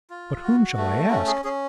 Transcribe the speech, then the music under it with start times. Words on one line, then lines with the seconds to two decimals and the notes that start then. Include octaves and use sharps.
But whom shall I ask?
0.10 F4
0.44 F#4
0.77 A3
1.11 C#4 F#4
1.27 G#4
1.44 C#4 G#4